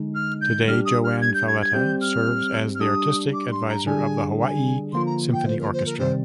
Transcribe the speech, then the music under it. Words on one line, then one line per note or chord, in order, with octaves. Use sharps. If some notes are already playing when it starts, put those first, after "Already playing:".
Today, JoAnn Falletta serves as the artistic advisor of the Hawaii Symphony Orchestra.
Already playing: D3 G#3 D#4
F6
G6
G3 D4 G4 F6
D#6
F6
G#6
G6
G#6
G#6
G3 C4 G4 G6
F6
F6
G3 D4 G4 D#6
D6
C6
A#5
D3 G3 D4 G#4 G#5
G#5
D3 F3 A#3 F4 C6
A#5
G5
C5
A#4
C5
A#4
C3 D#3 G3 C4 C5